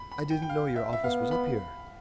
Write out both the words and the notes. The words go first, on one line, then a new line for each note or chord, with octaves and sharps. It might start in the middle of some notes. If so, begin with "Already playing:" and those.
"I didn't know your office was up here."
Already playing: B5
B5
G5
G5
F5
E5
E5
B3 F5
B5